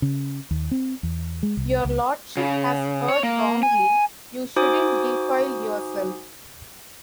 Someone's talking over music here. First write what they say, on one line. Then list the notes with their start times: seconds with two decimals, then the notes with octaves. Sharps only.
Your Lordship has heard wrongly, you shouldn't defile yourself.
0.02 C#3
0.51 D#2
0.71 C4
1.03 E2
1.43 G#3
1.57 C2
1.85 C#2
2.37 C#3
3.08 C#5
3.23 A#3
3.63 G#5
4.56 D#4 F#4 C5 G#5 D6 D#6